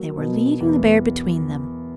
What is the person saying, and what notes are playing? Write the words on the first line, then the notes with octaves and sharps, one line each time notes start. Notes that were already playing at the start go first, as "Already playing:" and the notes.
They were leading the bear between them.
Already playing: F#3 A#3
B2
E2